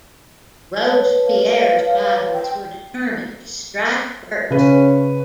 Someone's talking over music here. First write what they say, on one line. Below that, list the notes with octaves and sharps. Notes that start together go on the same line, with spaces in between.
Robespierre's rivals were determined to strike first.
B4 C#5 A5
F5
G5
C#3 C#4 B4